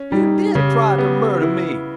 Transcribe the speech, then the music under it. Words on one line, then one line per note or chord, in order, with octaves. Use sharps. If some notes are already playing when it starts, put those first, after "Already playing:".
"You did try to murder me!"
Already playing: C#4
G3 D#4
C#3 G4 B4
B3
E4